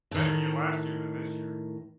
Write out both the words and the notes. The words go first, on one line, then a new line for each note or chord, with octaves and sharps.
better year last year than this year.
A2 D#3